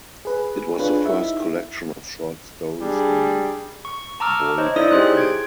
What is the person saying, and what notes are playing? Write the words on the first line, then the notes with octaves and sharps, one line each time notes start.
It was the first collection of short stories in Bhojpuri.
G#4 B4
D4 F4 G#4 B4 C#5
D#4 E4 E5
G3 D4 G#4
C#6
A5 A#5 C#6 D6 E6 F6
C5 C#5 D#5
D#4 E4 A4 D5 E5 D#6
G4 G#4 C5 C6 F#6
G#6 D7